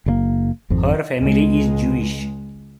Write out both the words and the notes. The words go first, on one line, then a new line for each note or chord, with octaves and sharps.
Her family is Jewish.
F#1 C#3 A#3
G#1 F2 C4
C#2 G#3